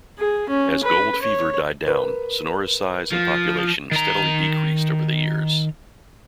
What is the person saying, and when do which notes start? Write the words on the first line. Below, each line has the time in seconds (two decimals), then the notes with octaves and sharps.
As "gold fever" died down, Sonora's size and population steadily decreased over the years.
0.19 G#4
0.49 C#4
0.83 B4
1.22 C#5
1.87 A#4 B4
3.12 F3
3.91 D#3 A#5